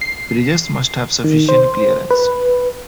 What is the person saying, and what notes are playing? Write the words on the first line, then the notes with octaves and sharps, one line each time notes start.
Bridges must have sufficient clearance.
C7
D#3
C5
B4